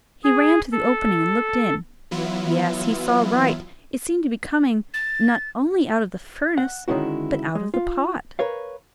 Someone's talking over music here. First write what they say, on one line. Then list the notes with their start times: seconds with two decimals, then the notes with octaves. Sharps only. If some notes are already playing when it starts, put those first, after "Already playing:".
He ran to the opening, and looked in: yes, he saw right; it seemed to be coming, not only out of the furnace, but out of the pot.
0.24 G#4
0.72 A4
2.11 E3 F#3 B3 E4 F4
4.94 A6
6.58 F#5
6.88 D3 D#3 G#3 C#4 E4 F#4
7.55 G#3
7.74 F4
8.39 A#4 B4 C#5 F5